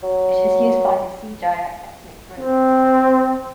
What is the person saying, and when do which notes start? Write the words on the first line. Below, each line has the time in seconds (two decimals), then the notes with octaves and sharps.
It is used by the Sea Dayak ethnic group.
0.03 F#3
2.40 C4